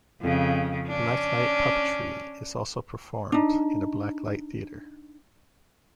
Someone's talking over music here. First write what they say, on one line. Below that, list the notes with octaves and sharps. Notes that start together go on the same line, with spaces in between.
Black light puppetry is also performed in a black light theater.
F2 C#3
C#4 D4
D4 D#4